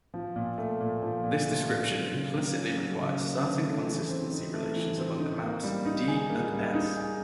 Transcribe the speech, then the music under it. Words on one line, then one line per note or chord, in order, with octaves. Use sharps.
This description implicitly requires certain consistency relations among the maps "d" and "s".
F3
A#2
A3
A#2
F3
A#2
A3
A#2
F#3
C#3
A#3
C#4
F#3
C#3
A#3
C#4
A3
E3
C4
D#4
A3
E3
C4
D#4
A#3
G3
D#4
G#4
A#3
G3
D#4
G#4